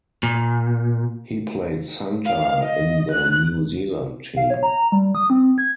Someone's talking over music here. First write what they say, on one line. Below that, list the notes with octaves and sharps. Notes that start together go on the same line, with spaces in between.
He played center in the New-Zealand team.
A#2
F5
D#5
F#6
F5
C#5
A#5
G3
D#6
C4
G#6